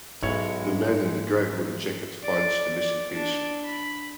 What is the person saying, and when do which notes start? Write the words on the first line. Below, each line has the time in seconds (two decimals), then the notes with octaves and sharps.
The man in the gray hooded jacket finds the missing piece.
0.23 B1 G#2 G#3 E4 C#5
2.23 D5
2.74 D5
3.11 D4
3.65 B5